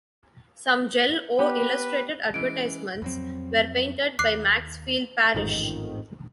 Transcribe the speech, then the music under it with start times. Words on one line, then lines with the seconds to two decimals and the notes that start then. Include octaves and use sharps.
Some Jell-O illustrated advertisements were painted by Maxfield Parrish.
1.39 B3 G4 B4
2.34 E3 G#3 C#4 D7
3.02 F2 F#3 C4
4.19 D#2 D6 F#6 C7
5.34 A1 F2 G#2 D#3